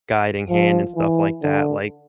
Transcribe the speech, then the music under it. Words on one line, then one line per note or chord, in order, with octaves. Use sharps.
guiding hand and stuff like that, like,
F3
E3
D3